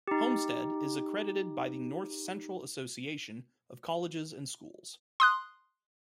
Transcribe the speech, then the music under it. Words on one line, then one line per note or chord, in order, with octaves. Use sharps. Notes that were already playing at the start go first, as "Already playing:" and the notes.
Homestead is accredited by the North Central Association of Colleges and Schools.
D#4 G4
C6 D#6 F#6